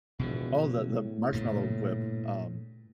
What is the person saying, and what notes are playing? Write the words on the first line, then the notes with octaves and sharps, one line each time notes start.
Oh, the the marshmallow whip, um,
E1 B2 D3 F3
F#1
A2
G2 A#2 C#3